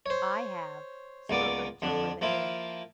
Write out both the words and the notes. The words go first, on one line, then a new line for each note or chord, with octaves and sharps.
"I have," spoke up Jumper the Hare.
C5 C#5
C#2 A#3 B3 D5 D6
F2 D3 D4
F3 A#3 E4 F4